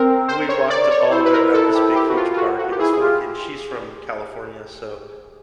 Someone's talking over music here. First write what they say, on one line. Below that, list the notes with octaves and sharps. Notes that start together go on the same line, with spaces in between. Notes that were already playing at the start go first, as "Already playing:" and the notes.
we walked all the way around this big huge park, it was funny kin she's from California, so,
Already playing: C4 A#4
C5
C#5
D5
C#5
E4 C5
B4
A#4
A4
G4
G4
F#4
F4
F4
F#4
F#4
G4
E4 G#4
G#4
F4 G4